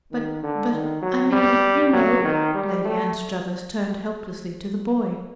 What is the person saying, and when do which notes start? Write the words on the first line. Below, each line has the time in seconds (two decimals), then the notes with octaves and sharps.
"But--but--I mean--you know----" Lady Anstruthers turned helplessly to the boy.
0.12 D#3
0.43 D3
0.72 D#3
1.02 F#3
1.32 G3
1.93 F#3
2.24 D#3
2.54 G3
2.85 A3